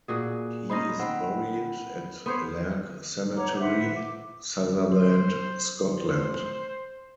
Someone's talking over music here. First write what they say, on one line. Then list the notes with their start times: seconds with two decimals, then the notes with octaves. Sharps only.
He is buried at Lairg Cemetery, Sutherland, Scotland.
0.08 A#2 F#4 G#4
0.70 C#4 D#4 C5 B5 A#6
0.99 C4 F#5 B5
2.26 B3 A4 C5 C#5 C6 G6
3.36 C#5 F#5 A#5 D6
3.60 B4 C5 E5 F#5
3.94 D6
4.92 C5
5.85 C5